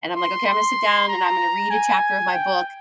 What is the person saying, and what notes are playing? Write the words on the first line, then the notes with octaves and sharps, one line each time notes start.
and I'm like, "Okay, I'm gonna sit down, and I'm gonna read a chapter of my book,
C6
C6
A#5
G#5
G5